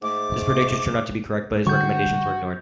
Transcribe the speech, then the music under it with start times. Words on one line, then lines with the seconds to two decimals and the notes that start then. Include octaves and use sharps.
His predictions turned out to be correct, but his recommendations were ignored.
0.02 G#2 A3 D6
1.67 D3 G3 F#4 C#6 G6